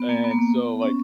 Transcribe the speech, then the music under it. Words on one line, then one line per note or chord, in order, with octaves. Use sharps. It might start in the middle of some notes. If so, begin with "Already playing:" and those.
And so, like,
Already playing: B3
A#3
B3
A#3
B3
C#4